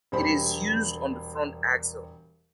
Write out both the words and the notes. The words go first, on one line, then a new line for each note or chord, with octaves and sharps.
It is used on the front axle.
E1 G3 C5 B5